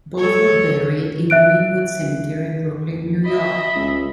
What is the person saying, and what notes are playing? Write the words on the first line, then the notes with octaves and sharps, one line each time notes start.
Both were buried in Green-Wood Cemetery, Brooklyn, New York.
A4 C#5
E5 F#6 D7
D#5 E5 B5
C#2